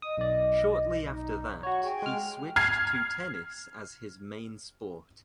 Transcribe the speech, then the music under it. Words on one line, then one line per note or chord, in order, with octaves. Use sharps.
Shortly after that he switched to tennis as his main sport.
D#5 D#6
B1 D5
D#4
F#4 C#5 F#5 C#6
G#4 G5 G#5
G#3 F6
F6 G#6 C7